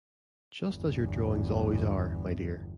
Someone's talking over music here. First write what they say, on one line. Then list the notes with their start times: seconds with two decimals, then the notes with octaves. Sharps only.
Just as your drawings always are, my dear.
0.69 G1 E2